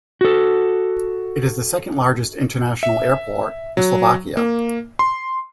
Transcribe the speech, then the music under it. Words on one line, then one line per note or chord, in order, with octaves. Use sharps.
It is the second largest international airport in Slovakia.
F#4 A4
E5
F#3
A#3
C6